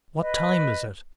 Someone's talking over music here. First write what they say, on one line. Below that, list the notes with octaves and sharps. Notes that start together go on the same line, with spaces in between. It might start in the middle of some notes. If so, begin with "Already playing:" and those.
"What time is it?"
B4 D#5